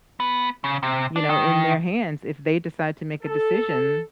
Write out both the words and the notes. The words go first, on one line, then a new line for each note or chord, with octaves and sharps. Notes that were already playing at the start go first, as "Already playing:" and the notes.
you know, in their hands if they decide to make a decision
B3
C#3
C3
D4
D#3
A4